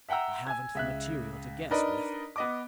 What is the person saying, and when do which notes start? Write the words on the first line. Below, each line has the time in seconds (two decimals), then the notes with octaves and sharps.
I haven't the material to guess with.
0.09 E5 F#5 G5 A#5 E6
0.47 G#5 G#6
0.75 C#2 E5 F#6
1.70 D4 D#4 A#4 B4 D5 D#5
2.36 B3 D#5 D6